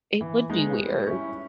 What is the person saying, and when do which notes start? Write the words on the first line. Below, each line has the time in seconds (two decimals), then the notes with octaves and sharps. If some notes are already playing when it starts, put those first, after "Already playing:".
It would be weird.
0.21 E3
0.50 G#3 B3 D#4
0.78 G3
1.07 C#4 E4